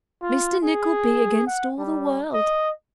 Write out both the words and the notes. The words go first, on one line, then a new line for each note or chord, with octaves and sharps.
Mr Nickleby against all the world.
F4
G#4
F#5
G3
D#5